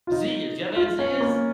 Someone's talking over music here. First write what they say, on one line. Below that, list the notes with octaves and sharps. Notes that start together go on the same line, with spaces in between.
Zea's. You ever had Zea's?
F4
D#4
F4
C#4
A#3